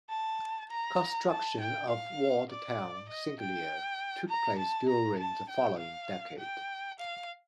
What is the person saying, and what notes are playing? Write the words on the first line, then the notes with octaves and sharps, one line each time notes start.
Construction of walled town Senglea took place during the following decade.
A5
A#5
A5
G5
F5
D5
D#5
G5
A#5
A5
A#5
A5
G5
F5
G5
F5